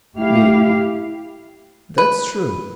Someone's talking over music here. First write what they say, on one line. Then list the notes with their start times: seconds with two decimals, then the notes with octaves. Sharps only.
ME: That's true.
0.18 A3 E4 G4 F5
1.98 B4